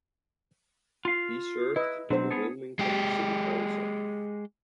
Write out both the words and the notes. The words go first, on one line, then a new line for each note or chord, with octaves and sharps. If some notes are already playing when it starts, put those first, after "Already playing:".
He served on the Wilmington City Council.
F4 F5
E4 B4 D#5
B2 F#3 C4 D4 C5
B3 G#4 A4
G#3 G4